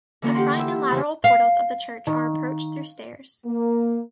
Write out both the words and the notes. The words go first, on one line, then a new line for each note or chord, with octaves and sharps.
The front and lateral portals of the church are approached through stairs.
D3 E3 A#3 C#4 F4 A#4
G4 F#5 C6
E4 E6
F2 C#3 E3 C6 E6
F5
D#3
A#3